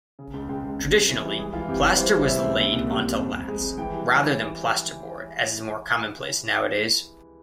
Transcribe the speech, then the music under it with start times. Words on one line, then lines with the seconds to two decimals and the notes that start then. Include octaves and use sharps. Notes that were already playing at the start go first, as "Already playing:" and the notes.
Traditionally, plaster was laid onto laths, rather than plasterboard as is more commonplace nowadays.
0.19 C#3
0.34 C#2
0.49 C#2 G5
0.63 C#2
0.78 F2
0.94 G3
1.09 E3
1.24 G3
1.38 G#3 G#4
1.54 E3 F4
1.68 F2 G4
1.83 E3
1.98 G3 C5
2.13 G3
2.28 C3 E5
2.43 C#2
2.58 A#2
2.73 C2
2.88 G3
3.03 G3
3.18 F2
3.33 F2
3.48 G#3
3.62 G#3
3.78 E3 G5
3.92 G3
4.08 G3